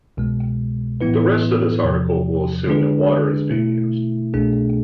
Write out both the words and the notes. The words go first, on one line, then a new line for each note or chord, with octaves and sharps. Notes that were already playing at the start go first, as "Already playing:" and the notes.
The rest of this article will assume that water is being used.
C2 B2 G#3
A2 E3 B3 E4 B4
E2 C3 F3
D3 G#3 D4 G#4 B4
B2 A3 E4
C2 B2 A3 D4 G#4